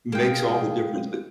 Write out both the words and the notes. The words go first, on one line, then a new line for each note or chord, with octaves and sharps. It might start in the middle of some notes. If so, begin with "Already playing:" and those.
makes all the difference that
G#3 A#3 G#4 G5